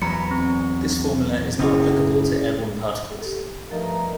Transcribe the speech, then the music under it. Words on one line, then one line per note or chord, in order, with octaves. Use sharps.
This formula is not applicable to airborne particles.
E2 F#3 A#5 B5 C#7
C4
F#1 C#4 E4 G#4
G4 A4
G2 F3 A3 D#4 A#4